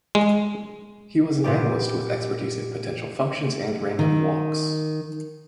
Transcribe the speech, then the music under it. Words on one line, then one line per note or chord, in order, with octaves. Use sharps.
He was an analyst with expertise in potential functions and random walks.
G#3
A#2 B3 G4
D#3